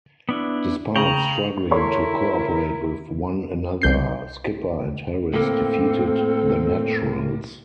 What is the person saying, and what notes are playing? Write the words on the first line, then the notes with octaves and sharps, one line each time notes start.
Despite struggling to cooperate with one another, Skipper and Harris defeated The Naturals.
B3 D4 E4
C#3 G5 A#5 C#6 F7 F#7
E4 A4 A#4 C#5 C6
C2 G6 C7
A2 A#3 C4 A4